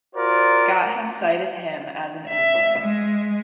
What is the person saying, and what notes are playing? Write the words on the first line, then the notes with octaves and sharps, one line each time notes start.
Scott have cited him as an influence.
F4 F#4 A#4 C5 D5
E5
G#3